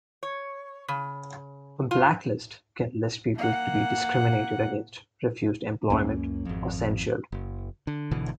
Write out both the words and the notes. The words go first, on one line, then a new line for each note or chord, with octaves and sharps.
A blacklist can list people to be discriminated against, refused employment, or censured.
C#5
C#3
F4
A#3 F#5
C#2 F#2 A#3 C#4
G#1 F2
F#1
D3
G#1 B2 D3 E3